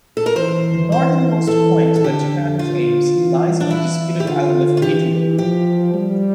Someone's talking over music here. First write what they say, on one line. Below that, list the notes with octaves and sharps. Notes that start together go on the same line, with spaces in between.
The northernmost point that Japan claims lies on the disputed island of Iturup.
A4
A#4
E3 C5
C5
E3 A4
A4
D3 G4
D3 F4
E3
D4
E4
G4
D3 F4
F4
E3 G4
F3 G4
G3